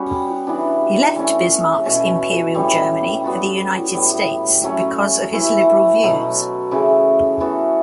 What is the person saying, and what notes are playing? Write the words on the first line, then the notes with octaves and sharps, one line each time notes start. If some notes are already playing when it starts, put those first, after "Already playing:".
He left Bismarck's Imperial Germany for the United States, "because of his liberal views".
Already playing: G3 B3 C#4 F#4
E3 B3 D4
E3 A3 C#4
B2 A3 C#4
A2 G3 C#4
G3 B3 F#4 A4
A2 G3 B3
F#3 A3 C#4
E3 A3 E4
B2 F#3 A3
C#3 E3 A3 E4
E3 B3 F#4 A4